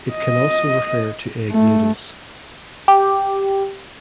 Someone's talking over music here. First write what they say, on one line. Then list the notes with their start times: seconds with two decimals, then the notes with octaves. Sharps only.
It can also refer to egg noodles.
0.13 D#5
1.52 A3
2.88 G4